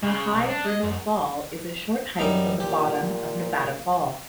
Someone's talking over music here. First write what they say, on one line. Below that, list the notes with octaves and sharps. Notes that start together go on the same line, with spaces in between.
The high Vernal Fall is a short hike from the bottom of Nevada Fall.
C#3
B1
D4
D#5
F#2
F#2 G3 D#4
A#2 G4